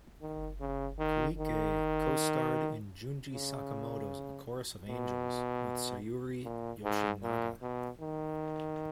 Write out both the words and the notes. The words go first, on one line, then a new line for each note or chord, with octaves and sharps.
Koike co-starred in Junji Sakamoto's "A Chorus of Angels" with Sayuri Yoshinaga.
D#3
C#3
D#3
D#3
C#3
B2
A#2
G#2
A#2
B2
D#3